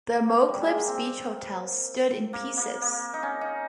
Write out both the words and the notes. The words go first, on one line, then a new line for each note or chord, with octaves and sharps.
The Moclips Beach Hotel stood in pieces.
A#3
G3
G#3
A#3
C4
A#3
A#3
A#3
D#4
C#4
D#4